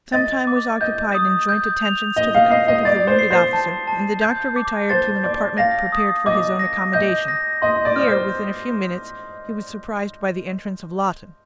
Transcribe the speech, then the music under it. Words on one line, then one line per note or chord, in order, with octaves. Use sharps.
Some time was occupied in joint attentions to the comfort of the wounded officer, and the doctor retired to an apartment prepared for his own accommodation; here, within a few minutes, he was surprised by the entrance of Lawton.
D#5 A6
D6
D#5 G6
D#6
G6
F7
D#5 G7
F5
D#5 C7
D#5
D5 A6
C5
C7
C5
A5
A5
G6
D6
C5 A6
D5 D6
F5 A#6
D#6
D#5 D6
A#6
D#5 G6
A#6
D#5 C6
D5
F6
C5